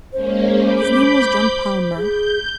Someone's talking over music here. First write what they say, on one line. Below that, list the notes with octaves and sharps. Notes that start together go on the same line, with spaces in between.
His name was John Palmer.
G#3 A#3 C#4 C5
B5 D6 G6
G#4 G6